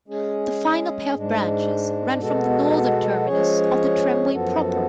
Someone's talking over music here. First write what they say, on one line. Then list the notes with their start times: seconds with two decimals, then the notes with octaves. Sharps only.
The final pair of branches ran from the northern terminus of the tramway proper.
0.08 G#3 C#4 G#4
1.14 G#2 G#3 D4
2.20 B2 G#3 B3 F#4 A4
3.26 F3 G#3 C#4 G#4 C#5
4.32 F#2 F3 B3 F#4 A4